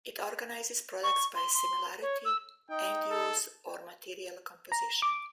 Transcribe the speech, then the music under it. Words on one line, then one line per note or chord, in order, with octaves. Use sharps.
It organizes products by similarity, end use, or material composition.
C#6
C6
C6
C#5
E6
D#4 G5
A4
A#5
D6